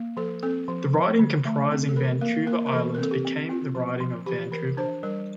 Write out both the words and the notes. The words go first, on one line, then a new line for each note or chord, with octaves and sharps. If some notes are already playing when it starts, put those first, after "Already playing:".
The riding comprising Vancouver Island became the riding of Vancouver.
Already playing: A#3
F3 A4
C4 A4
F3
F3
D3
A3
C4
A4
E3 A#4
A#3 A#4
A#3 A#4
A#4
E3 A4
A#4
C4 A4
G4
C4
C4 F4
F3
F3
E3 G4
E3 A#4
D4 C5
G3 A#4